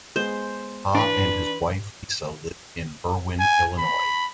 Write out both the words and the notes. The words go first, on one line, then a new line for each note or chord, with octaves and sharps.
Ha and his wife Lisa live in Berwyn, Illinois.
G#3 B3 C5
E3 D4 B4 C6
G#5
B5